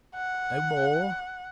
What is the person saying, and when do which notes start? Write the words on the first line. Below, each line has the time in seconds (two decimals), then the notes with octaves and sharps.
No more?
0.15 F#5